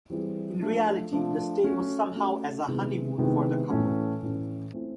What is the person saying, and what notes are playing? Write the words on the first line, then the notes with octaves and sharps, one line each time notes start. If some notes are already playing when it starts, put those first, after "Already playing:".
In reality, the stay was somehow as a honeymoon for the couple.
E3 G3 C4 E4 G#4
F3 A3 D4
F3 A3 D4
A3 C#4 F#4
A3 C#4 F#4
C3 D#3 G#3 B3 E4
C3 D#3 G#3 B3 E4
A2 E3 A3 C#4
A2 E3 A3 C#4
A3 C4 E4